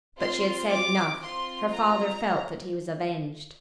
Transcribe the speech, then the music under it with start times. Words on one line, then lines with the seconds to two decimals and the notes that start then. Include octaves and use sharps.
But she had said enough; her father felt that he was avenged.
0.19 C4 F4 C6
0.71 D6
1.22 C4 F4 C6
1.72 A#5